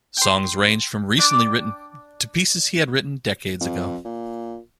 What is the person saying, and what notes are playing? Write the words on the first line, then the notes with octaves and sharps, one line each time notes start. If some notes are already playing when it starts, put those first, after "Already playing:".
Songs ranged from recently written to pieces he had written decades ago.
G5 C6
D4 D5 G5 D6
F2
A#2